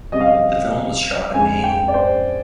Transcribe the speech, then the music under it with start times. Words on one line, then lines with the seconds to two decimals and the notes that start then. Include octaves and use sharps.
The film was shot at Haiti.
0.12 C3 G3 C4 D#5
0.21 F5
0.27 D#5
1.34 F2 D3 G#3 G#5
1.64 G5
1.88 D5
1.94 C5